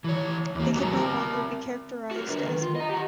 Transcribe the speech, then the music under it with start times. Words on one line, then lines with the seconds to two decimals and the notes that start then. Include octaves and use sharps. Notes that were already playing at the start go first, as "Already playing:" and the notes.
They could no longer be characterized as folk.
0.04 E3 C#5
0.55 E2 A#3
0.75 F#3 F#4 G4 B4 A#5
0.93 C4 A#4
2.11 F#4 A#4
2.29 D3 B4
2.43 D2 D#3
2.61 F4
2.76 D#5 A#5
2.89 G4 F#5